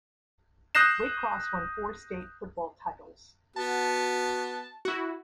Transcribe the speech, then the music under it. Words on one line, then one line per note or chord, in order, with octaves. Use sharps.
Waycross won four state football titles.
D#6 F#6 G6 A#6 C7 E7
B3 F#4 A5
E4 F#4